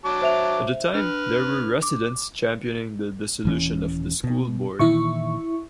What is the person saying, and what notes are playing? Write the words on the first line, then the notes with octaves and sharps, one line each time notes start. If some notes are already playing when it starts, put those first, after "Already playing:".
At the time there were residents championing the dissolution of the school board.
F#3 A5 D6
C5 E5 F7
D4 B4 F6
D6
D#1 E3 C#4
B2
A#2 D#3 E3 E4 E5 C#6